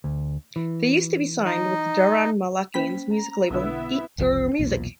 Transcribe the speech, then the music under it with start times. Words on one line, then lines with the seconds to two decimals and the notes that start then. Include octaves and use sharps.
They used to be signed with Daron Malakian's music label EatUrMusic.
0.04 D2
0.56 E3
1.45 D#4
2.74 A#3 C#4 C5 G5 B6
3.12 A#5
3.50 B1 D3 B3 E4 E5
4.18 F#1 C2 F3
4.59 B1 E2 A#2